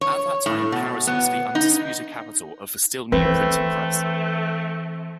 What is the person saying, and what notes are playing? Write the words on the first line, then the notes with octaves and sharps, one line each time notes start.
At that time Paris was the undisputed capital of the still-new printing press.
C#5
A2
B2
B3
D#4
E3 A3 C4 B4